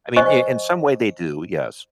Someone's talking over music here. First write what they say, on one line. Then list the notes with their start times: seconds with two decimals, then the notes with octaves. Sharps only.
I mean, i in some way they do, yes,
0.16 C5 D#5 G#5 C#6